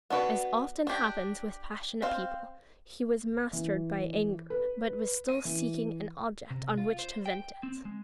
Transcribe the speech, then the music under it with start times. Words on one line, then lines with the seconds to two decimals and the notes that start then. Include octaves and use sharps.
As often happens with passionate people, he was mastered by anger but was still seeking an object on which to vent it.
0.10 B3 D4 F#4 B4
0.87 D4 G4
2.02 C4 C5 F5
3.53 E3
4.50 B4
5.29 D#7
5.45 E3
6.50 C3
6.77 F4
6.99 C5
7.26 G5
7.63 C4
7.85 G#3